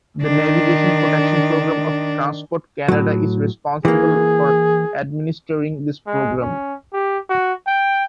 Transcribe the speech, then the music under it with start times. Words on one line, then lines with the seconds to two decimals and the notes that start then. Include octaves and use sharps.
The Navigation Protection Program of Transport Canada is responsible for administering this program.
0.22 D#3 D4
2.88 A2 F#3
3.85 E3 A#3 G#4
6.07 G#3
6.41 C#4
6.93 G4
7.30 F#4
7.67 G5